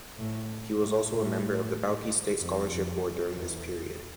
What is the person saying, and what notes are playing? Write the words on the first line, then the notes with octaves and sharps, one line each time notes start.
He was also a member of the Bauchi State Scholarship Board during this period.
A2
A2
A2
F2
F2
E2